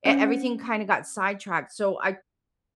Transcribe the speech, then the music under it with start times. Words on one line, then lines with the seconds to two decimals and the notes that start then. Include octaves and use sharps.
e everything kinda got sidetracked, so I
0.05 C#4 C5 F#5 C#7